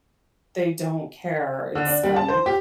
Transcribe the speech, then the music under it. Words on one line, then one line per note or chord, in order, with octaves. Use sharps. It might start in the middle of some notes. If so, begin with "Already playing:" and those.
they don't care. It's, um
D3
D4
G3
A5
C5
G4